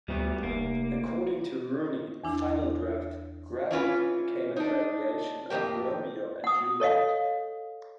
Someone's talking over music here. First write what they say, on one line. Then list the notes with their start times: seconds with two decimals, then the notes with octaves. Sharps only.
According to Rooney, the final draft gradually became a variation of "Romeo and Juliet".
0.08 D2 G3 B3
0.43 F1 A#3
2.24 E2 E3 D4 E4
3.71 E3 C#4 F4 B4
4.56 D4 D#4
5.50 F2 A2 F3 A#3 G4
6.44 F#5 D#6
6.80 A4 C#5 D#5 F5